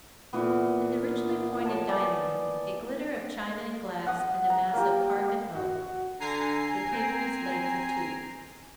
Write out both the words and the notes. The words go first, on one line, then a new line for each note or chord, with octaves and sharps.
In the richly appointed dining-room--a glitter of china and glass and a mass of carven oak--the table was laid for two.
A#2 E3 B3
C#5 A5
D5 G#5
F#5 D#6
A#5
A#3 G4
F#4
D3 G#5 A#5 C7
C4